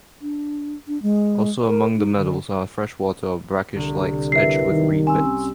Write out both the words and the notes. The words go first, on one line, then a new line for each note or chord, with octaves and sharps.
Also among the meadows are freshwater or brackish lakes edged with reed beds.
D4
D4
G#3
A#4
D#4
D3
C2 D3
G3 E4 A#4 B4 E5 C7
D#3
C4 C#4 G#5 E6